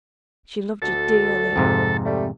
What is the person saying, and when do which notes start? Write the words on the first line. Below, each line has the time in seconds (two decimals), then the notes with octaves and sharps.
She loved yo' dearly.
0.82 D2 A4
1.56 F2 G#2 C3
2.05 G3 A3